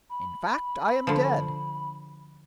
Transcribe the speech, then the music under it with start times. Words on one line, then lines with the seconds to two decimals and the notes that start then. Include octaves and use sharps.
In fact, I am dead.
0.10 B5
1.07 D3 F3